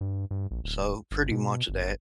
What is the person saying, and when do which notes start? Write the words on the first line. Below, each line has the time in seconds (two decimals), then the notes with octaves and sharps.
So, pretty much of that.
0.01 G2
0.31 G2
0.51 A#1
0.64 D1
1.11 G1
1.31 B2
1.69 G1